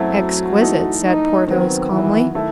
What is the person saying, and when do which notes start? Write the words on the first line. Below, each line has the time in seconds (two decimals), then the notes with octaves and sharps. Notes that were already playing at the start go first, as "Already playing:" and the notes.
"Exquisite," said Porthos, calmly.
Already playing: F#2 F#3 A3 C4 E4
0.17 F#4
0.61 E3 A3 D#4
1.04 D#4
1.47 D#3 F#3 B3 C4
1.91 E3
2.34 D#3 A3 E4